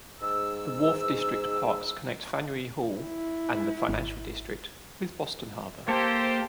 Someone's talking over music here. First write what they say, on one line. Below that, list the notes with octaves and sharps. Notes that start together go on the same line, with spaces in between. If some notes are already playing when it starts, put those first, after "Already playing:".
The Wharf District Parks connect Faneuil Hall and the Financial District with Boston Harbor.
G#2 E6
E4
G#1
A#3 G4 A4 C5